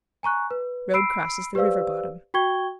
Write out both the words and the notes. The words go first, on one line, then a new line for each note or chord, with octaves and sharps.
Road crosses the river bottom.
G#5 A#5 C#6 F#6
B4
B5 E6 C7 D7
G4 B4 C5 D5 F5 E6
F#4 G5 C#6 G#6 G7